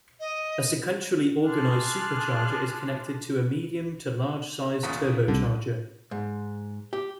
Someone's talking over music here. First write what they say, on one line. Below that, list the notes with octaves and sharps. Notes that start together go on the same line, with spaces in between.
A sequentially-organized supercharger is connected to a medium- to large-sized turbocharger.
D#5
G#4 A5 C6 D6 F6 F#6
E2 A#2 C#3
C2 D3
G#2
G4